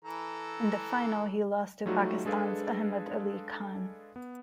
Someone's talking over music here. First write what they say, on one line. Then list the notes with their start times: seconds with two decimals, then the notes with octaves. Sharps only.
In the final he lost to Pakistan's Ahmed Ali Khan.
0.05 E3 A4 A#5
1.86 F#3 G3 A3 D#4 F4 F#4
2.25 G#3 D4 G#4 A4 B4 F5
4.16 B3